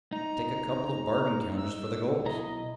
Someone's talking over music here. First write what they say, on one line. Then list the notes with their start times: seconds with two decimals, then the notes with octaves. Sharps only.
Take a couple of bargain-counters for the goals.
0.12 D#4 A#5
1.57 E6
2.26 B1 E4 D#5 A#5